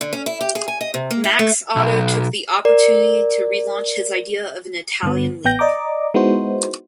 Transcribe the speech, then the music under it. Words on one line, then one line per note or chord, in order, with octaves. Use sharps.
Max Otto took the opportunity to relaunch his idea of an Italian league.
D3
C#4
E4
G4
G#4
G#5
D#5
C3
A#3
E4
A3
B1
A#4 D5
G2 D3 B3
A1 B3 G5 G6 A#6
D5 D#5 A#5 D6
G#3 B3 D#4 E4 F#4 C5